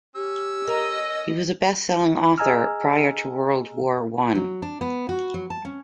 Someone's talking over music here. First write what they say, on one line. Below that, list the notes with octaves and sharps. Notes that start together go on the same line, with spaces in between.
He was a best-selling author prior to World War One.
C#4 G4 E6
A#4 D#5
G#4 D#5 G#5 A#5 E6 F6
F#3
D4
B3
F#4
F#3
A5
C#4